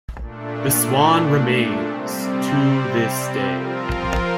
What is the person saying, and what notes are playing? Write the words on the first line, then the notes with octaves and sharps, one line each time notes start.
The Swan remains to this day.
A#2 A3 D4
C3 G3 C4
F3 C4 F4 A#4